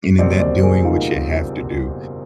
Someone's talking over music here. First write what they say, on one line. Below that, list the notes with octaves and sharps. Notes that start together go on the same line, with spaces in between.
And in that doing what you have to do,
F#1 E2 B2 G3 C4 C5 D5
C5 D5
G#4 A#4
D#4 F4